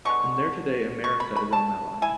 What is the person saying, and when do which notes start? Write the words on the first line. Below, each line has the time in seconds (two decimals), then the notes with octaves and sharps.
And there today America is on that line.
0.05 D3 G#3 B3 C#6
1.04 C#6
1.20 B5
1.36 B5
1.53 A5
2.02 E4 G#5